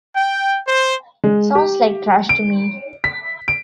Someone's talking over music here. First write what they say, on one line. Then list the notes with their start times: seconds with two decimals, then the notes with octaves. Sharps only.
Sounds like trash to me!
0.15 G5
0.67 C5
1.24 G#3
1.55 G4
2.29 D7
3.04 B6
3.48 D7